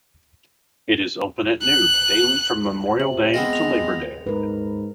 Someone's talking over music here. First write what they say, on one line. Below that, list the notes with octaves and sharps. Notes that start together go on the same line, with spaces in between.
It is open at noon daily from Memorial Day to Labor Day.
F#6
C3 F#7
G#3 B3 C4 F4 A#6
F7
G#2 A#4 B4